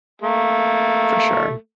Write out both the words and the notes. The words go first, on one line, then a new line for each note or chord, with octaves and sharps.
For sure.
A3 A#3